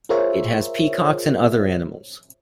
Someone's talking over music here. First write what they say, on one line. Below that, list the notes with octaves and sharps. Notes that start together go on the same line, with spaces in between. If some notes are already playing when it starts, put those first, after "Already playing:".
It has peacocks and other animals.
F4 G#4 A#4 C5 C#5 E5